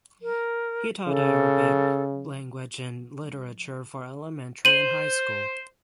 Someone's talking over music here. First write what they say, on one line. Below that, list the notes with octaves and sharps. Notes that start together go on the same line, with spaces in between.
He taught Arabic language and literature for elementary and high school.
A#4
C#3 A4
C5 D#7 F#7